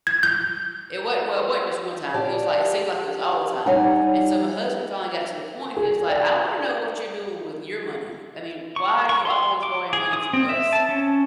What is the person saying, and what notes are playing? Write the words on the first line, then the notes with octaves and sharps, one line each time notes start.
it wasn't well, it wasn't just one time, it was like it seemed like it was all the time, and so my husband finally got to the point, and he was like, "I wanna know what you're doing with your money, I mean, why are you always borrowing money from us?"
G#6
G6
G4 D5 A5
G3 D#4 C#5 F#5 G#5 A#5
G#4
D5
C#6
C#6
C6
D6
G#4
D#6
C4
E5
A5
C#4